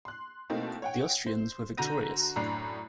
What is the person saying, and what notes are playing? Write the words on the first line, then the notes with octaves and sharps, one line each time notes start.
The Austrians were victorious.
C6 F#6
B2 A3 A#3 C4 D#4 E4
C#5 F#5 G5
C5
D3 F#4 A#5 G6 A#6 D#7
F#2 A2 D4 A#5 F#6 C7